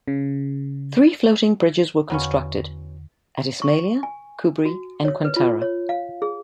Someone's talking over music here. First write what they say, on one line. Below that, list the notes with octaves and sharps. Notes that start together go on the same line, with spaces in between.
Three floating bridges were constructed, at Ismailia, Kubri and Qantara.
C#3
E2 D3 F#3 B3 C#4 F5
C#6
G#5
F#4
C#5
B4
F4
C#5
F5
G#4